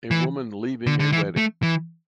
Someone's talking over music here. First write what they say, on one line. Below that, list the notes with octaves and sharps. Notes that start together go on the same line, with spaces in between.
A woman leaving a wedding.
E3
D3
D3
E3
A3
E3